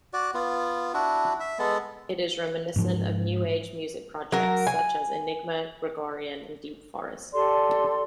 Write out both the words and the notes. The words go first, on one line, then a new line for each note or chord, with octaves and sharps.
It is reminiscent of new-age music projects such as Enigma, Gregorian, and Deep Forest.
F#4 D5
B3 F4
D4 E4 F#4
E5
G#3 B3 A4
G#2 F3
F#3 A#4
G#5
G4 A4 D5 C6